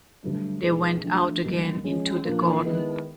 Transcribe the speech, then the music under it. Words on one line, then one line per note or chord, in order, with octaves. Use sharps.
They went out again into the garden.
G2 D3 F#3 A3 D4
B2 G#3 B3 D#4 G#4
F3 A3 D4
G2 D#3 F#3 A#3
F3 G#3 C#4
A#2 F3 A#3 D4 F4
D#3 G#3 B3 E4